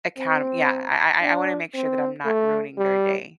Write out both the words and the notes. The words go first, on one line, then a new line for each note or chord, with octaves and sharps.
account Yeah, I I I I wanna make sure that I'm not ruining their day.
C4
D4
C4
A3
G3